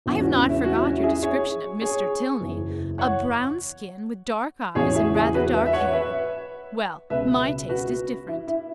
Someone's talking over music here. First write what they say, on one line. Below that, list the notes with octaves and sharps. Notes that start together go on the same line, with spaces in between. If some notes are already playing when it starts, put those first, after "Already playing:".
I have not forgot your description of Mr. Tilney: 'a brown skin, with dark eyes, and rather dark hair.' Well, my taste is different.
E1 E2 C#3 E3
C#4 F#4
C#4
E4
C#4 F#4
E4
C#4 F#4
E4 G#4
G#4 C#5
G#4 C#5
F#1 E2 E3
C#5 F#5
E1 E2 C#3 E3 G#4 C#5
E4 G#4
E4 G#4
F#4 B4
B4 E5
E5
C#5 F#5
B4 E5
C#2 B2 B4 E5
F#4 B4
E4
E4